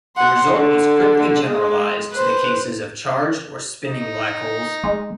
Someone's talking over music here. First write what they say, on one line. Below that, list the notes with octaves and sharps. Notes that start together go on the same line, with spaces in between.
The result was quickly generalized to the cases of charged or spinning black holes.
F#5 C6
D3
G#3
B4 C5
D#4
G#3